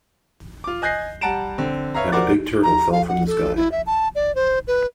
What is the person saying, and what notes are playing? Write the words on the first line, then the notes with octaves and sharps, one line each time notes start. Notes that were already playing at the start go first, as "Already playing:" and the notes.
And a big turtle fell from the sky.
F4 D6
D#5 G#5 F#6 G6 A#6 C7
G3 F#5 A5 A#5 D7 E7
D3 C4
B4 C#5 E5 F5 A#5
A#4 C5 D5 F#5 D6 A6
A#5
F5
F#5
A4
E4
E5
A5
D5
C5
B4